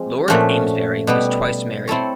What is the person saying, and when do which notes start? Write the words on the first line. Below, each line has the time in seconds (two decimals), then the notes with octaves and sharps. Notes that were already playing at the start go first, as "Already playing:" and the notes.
Lord Amesbury was twice married.
Already playing: F3 G#3 C4
0.28 A#2 F3 A3 C#4 F#4
1.07 B2 G3 B3
1.87 C4 E4 A4 C#5